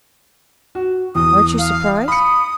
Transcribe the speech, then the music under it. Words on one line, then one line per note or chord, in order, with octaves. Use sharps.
"Aren't you surprised?"
F#4
E2 D#6
F5
B5 D#6 C#7